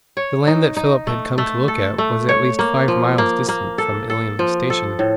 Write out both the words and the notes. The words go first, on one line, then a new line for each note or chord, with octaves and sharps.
The land that Philip had come to look at was at least five miles distant from Ilium station.
C#5
D#4
D#4
A3
A3
A4
A3
C#5
A#3
F3
A#3
A#3
A4
A4
F3
A4
A2